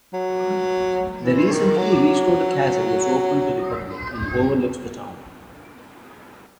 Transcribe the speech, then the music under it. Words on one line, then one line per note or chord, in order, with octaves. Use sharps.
The recently restored castle is open to the public and overlooks the town.
F#3
E3
D#3
F#3